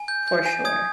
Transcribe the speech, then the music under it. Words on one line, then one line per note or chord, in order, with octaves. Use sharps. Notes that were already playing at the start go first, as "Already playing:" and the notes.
For sure.
Already playing: G#5
G6
G6
G#5
D#6 G#6